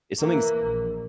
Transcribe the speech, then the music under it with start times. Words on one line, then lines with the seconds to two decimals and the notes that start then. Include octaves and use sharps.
If something's
0.19 E3 A#3
0.64 A#1